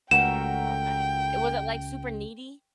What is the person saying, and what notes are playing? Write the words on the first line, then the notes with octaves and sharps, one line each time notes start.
Okay, it was it, like, super needy?
C#2 A3 F#4 A#4 G5 E7